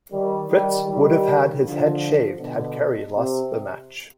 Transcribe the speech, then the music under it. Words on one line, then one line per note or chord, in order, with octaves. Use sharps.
Fritz would have had his head shaved had Kerry lost the match.
D#3 G3
D#3 G3
D#3 G3
D3 F3
B2 D3
C3